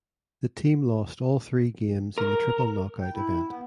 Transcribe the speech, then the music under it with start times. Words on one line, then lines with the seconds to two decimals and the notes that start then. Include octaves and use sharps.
The team lost all three games in the triple knockout event.
2.18 A#4
3.00 G5
3.14 E4
3.48 B3